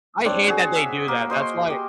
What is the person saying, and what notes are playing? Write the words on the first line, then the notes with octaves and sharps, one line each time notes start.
I hate that they do that, that's why
C4 D4 C#5
F#4 G#4
E5
A#3
C5 D#5 C6 C#6
G4